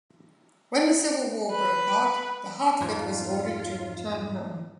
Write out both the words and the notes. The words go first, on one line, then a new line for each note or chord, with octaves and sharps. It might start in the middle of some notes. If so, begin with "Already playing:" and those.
When the Civil War broke out, the "Hartford" was ordered to return home.
B4
F2 G#2 F4